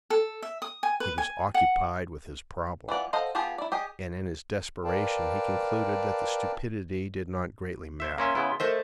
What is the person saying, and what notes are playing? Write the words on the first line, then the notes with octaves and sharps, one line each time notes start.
He was occupied with his problem, and in his desperation he concluded that the stupidity did not greatly matter.
A4
E5
D#6
G#5
B4
G#5
F#5
E3 F4 D5 F#5
A4 C5 D#5 F5 F#5
B3 F4 G4 G#4 A5
E4 D5
G4 G#4 D#5
A#4 B4 D5 F5 G5 A5
C5 E5
A#3 C#4 E5 C6
C#3 B3 E4
A3 A#4 C5 D#5 E5